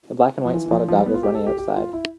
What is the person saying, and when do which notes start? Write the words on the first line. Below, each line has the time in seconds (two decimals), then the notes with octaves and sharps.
The black and white spotted dog is running outside.
0.45 F3
0.53 E3
0.66 E3
0.71 F3
0.88 F3
0.97 G3
1.06 B3
1.14 F4
1.23 G4
1.35 A4
1.47 G4
1.58 G4
1.76 F4
1.93 E4